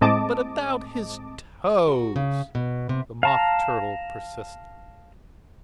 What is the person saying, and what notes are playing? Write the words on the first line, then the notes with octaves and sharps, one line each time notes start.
'But about his toes?' the Mock Turtle persisted.
A2 G#3 C4 D#5 A5 D6
F#4
C#3
B2
C3
F5 A5 A#5